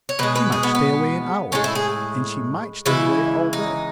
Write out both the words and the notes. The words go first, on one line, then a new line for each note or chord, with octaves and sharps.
She might stay away an hour and she might stay away all day.
C#5
B2 G#3 B4
B4
G#4
B3
B3
A2 G#3 C#4
E4
G#4
C#3 E3 G#3 E4
D#4